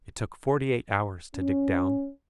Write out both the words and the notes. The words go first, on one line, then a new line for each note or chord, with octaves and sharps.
It took forty-eight hours to dig down.
C#4